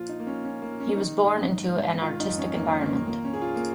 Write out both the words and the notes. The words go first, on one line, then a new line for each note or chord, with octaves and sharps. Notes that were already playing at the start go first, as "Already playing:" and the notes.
He was born into an artistic environment.
Already playing: A#2 F3 F4
D#4
F3 A#3
C#4
F3 C#4
A#3
A#2
C#4
D#3 D#4
G#2
G#2
G#2
D#3 F4
D#4
F2
C#4
F2 A#3
D#3 A#3
A#2 A#3
C#4
A#2 G#4
F4
A#3
A#2